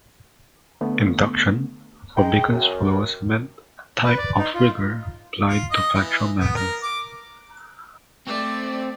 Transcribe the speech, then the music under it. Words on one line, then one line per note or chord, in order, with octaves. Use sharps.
Induction, for Bacon's followers, meant a type of rigour applied to factual matters.
D3 A3 B3
G#3 D#4 G5
F#2
B4
D5
D#4
F4
F4
D#5
E3
B3
A#4
D6
A3 C4 D5